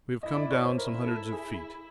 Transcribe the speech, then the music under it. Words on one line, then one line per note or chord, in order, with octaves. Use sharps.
We have come down some hundreds of feet.
E4 D#5
D5
C#5
C5
E4 A#4
A4
G#4